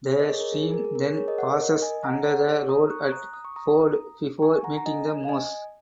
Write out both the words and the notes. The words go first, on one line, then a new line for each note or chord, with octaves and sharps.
The stream then passes under the road at Ford before meeting The Moss.
G#4 C#5
A#4 D#5
G#4 C#5
A#4
G#4
G#4
A#4
A#4
A#4
G#4 C#5
G#4 C#5
A#4 D#5
C#5 F#5
A#4 D#5
D#5 G#5
F#5 A#5
C#5 F#5
G#4 C#5
A#5 D#6
C#6 F#6
F#6
A#5 D#6
D#6
C#6
A#5 D#6
G#5 C#6
F#5 A#5
A#5
D#5 G#5
D#5 G#5